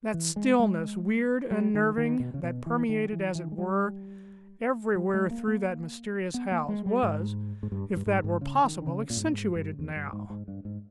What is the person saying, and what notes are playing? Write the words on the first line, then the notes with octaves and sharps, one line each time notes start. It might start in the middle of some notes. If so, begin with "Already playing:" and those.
That stillness, weird, unnerving, that permeated, as it were, everywhere through that mysterious house, was, if that were possible, accentuated now.
E3
G#3
G#3
G3
D#3
D#3
B2
C#3
B2
E3
D#3
E3
E3
G#3
G3
G3
G#3
A#3
A#3
B3
A#3
G#3
G3
G#2
G#2
G2
G2
G#2
G#2
C#3
D#3
D#3
C#3
A#2
G#2
A#2
G#2
G2
E2
G2
G#2
G#2
G2
G#2